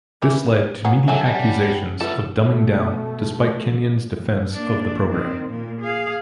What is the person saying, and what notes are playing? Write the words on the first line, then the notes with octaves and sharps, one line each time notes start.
This led to media accusations of "dumbing down", despite Kenyon's defence of the programme.
E3 A#4 B4
B3 C#4 F5 F#5 A#5
C#3 F#3 A4 C#5 E5 F#5 G#5 A5
G3
A3 B3 E4 F4 A4 B4 A6
B2 A3
A#3 D4
D#3 C4
A#2 A#3
G#4 F5